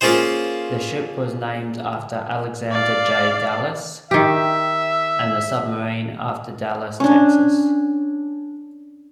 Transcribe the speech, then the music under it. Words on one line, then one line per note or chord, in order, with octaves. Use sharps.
The ship was named after Alexander J. Dallas and the submarine after Dallas, Texas.
A#3 C#4 F4 G#4 C5
D5 F5
D#3 G4 E5
C#4 D4